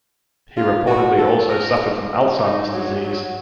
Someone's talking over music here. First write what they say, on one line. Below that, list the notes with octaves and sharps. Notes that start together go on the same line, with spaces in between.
He reportedly also suffered from Alzheimer's disease.
F4
F#4
A4
A#4
D#4
F#3
F#3